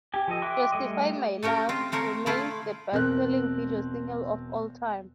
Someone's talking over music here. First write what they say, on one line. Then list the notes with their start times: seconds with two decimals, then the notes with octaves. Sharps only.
"Justify My Love" remains the best-selling video single of all time.
0.14 G4 G#5
0.28 F3 A4 D#5
0.42 E5 G5 C6 D6 F#6
0.72 G3 A3 G#4 D#5
1.43 A3 C#4 G4 A#4
1.69 C4 F4
1.92 A3 C4 A#4 C#5
2.26 A3 E4 F4
2.92 E1 C4 A#4 F#6